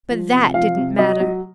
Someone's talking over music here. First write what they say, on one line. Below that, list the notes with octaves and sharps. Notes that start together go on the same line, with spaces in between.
But that didn't matter!
F3
C3
F3 F5
C3
F#3 D#5
F#3